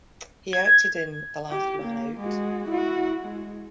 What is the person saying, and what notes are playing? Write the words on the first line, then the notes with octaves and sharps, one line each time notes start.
He acted in "The Last Man Out".
G#6
G4
A#3
G#3 F#4
E4 F#4
G#3